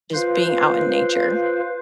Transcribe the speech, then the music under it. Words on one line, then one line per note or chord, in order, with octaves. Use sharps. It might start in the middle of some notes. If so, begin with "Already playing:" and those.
just being out in nature.
F4 B4 C5 F5